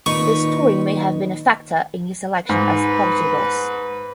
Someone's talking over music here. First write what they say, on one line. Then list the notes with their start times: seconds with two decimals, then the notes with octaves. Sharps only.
This story may have been a factor in his selection as party boss.
0.06 A#2 D#3 D#4 B4 C#6
2.49 G#2 B4